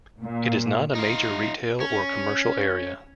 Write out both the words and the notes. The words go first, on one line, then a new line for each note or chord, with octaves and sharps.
It is not a major retail or commercial area.
A#2
D#4 F4
C#4